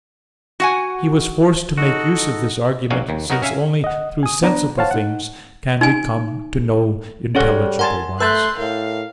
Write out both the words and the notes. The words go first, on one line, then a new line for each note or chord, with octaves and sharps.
He was forced to make use of this argument, since only through sensible things can we come to know intelligible ones.
F#4 F#5 G#5
D#4 F#4 A4 D#5
A#1 F#3 F#4 D5 F5 G#5
D#2
F#3 B3 D#4 F#4 A#4
C#4 E5 F5 G#5
D#5 F#5
G#5 D#6
B3 D4 A#5
C5 C#5 F5 F#5 A5
D#4 F#5
D#4 G#5
G3 C#4 G#4 A4 C#5 F#5
A#4 F#5 G#5 A5 C6
A3 B4 A5 C6 E6 F#6 G6 A6
A2 A#4 F5